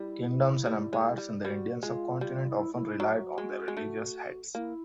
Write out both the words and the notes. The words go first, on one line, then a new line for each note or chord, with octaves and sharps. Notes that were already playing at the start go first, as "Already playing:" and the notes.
Kingdoms and empires in the Indian sub-continent often relied on their religious heads.
Already playing: G3 E4
G3
G#3
G3
G3 F#4
G#3 F4
G3 F4
E4
E4
F#3 F#4
G#3
G#3
A3
A#3 E4